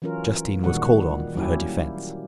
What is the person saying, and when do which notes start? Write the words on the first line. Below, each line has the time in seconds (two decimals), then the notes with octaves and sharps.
Justine was called on for her defence.
0.02 E3 F#3 C#4 F4 A#4
0.64 A#2 D#3 G3 G#3 F#4 F#5
1.35 F#3 G3 A#3 C#4 E4 G4